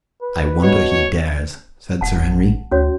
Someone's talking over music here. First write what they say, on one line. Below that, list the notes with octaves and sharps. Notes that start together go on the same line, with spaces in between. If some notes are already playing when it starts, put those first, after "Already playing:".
"I wonder he dares," said Sir Henry.
B4
B2 C#5
D#1 F#5 A5
A1
D2 C#4 F#4 C#5